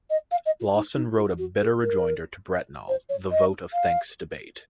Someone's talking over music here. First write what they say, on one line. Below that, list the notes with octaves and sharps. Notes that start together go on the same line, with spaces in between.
Lawson wrote a bitter rejoinder to Brentnall, "The Vote of Thanks Debate".
D#5
F5
D#5
F4
D#4
D#4
F4
F#4
G#4
A#4
C5
C#5
D#5
F5